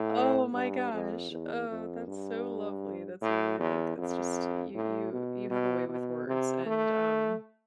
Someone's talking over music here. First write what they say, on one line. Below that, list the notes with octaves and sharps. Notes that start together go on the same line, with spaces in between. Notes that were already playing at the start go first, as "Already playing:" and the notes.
Oh my gosh. Oh, that's so lovely, that's a really like it's just you you you have a way with words and, um
Already playing: A2
G2
F2
E2
F2
G2
A2
E2
F2
A2
B2
B2
B2
C3
A3